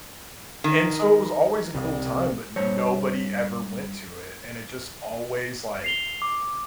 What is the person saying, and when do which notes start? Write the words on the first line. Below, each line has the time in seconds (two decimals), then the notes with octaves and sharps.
And so it was always a cool time, but nobody ever went to it. And it just always, like,
0.64 D#3
1.74 C2
2.56 G2 C5 C#5
5.84 C7 F7 G7
6.22 D6